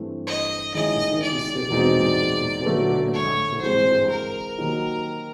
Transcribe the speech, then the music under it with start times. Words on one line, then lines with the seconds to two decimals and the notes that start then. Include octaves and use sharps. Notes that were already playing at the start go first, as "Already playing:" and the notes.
The series is set in England just before, during, and after World War One.
Already playing: G2 E3 A3 C4
0.27 D#5
0.74 D#3 G#3 C#4 E4 G#4 D#5
1.22 D5
1.70 E2 B2 G#3 C4 D#4
2.66 D3 F#3 A3
3.13 C#5
3.61 C3 E3 G#3 C4 C5
4.10 A#4
4.58 D#3 F#3 A#3 D#4 G4